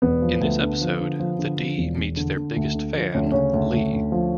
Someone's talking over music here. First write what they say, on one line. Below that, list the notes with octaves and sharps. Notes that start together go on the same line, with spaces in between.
In this episode The D meets their biggest fan, Lee.
E1 B3
F3
D2
D3
F3
D3
F3
D3
F3
E1
E1
D3
D3
D2
D3
F3
D2 C#4
D4
C#3 C#4
D2
D2
D2
F3